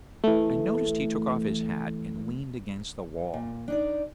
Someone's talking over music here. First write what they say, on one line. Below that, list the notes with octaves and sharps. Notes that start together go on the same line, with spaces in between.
I noticed he took off his hat and leaned against the wall.
E3 A3
A#2
D4 D#4 D5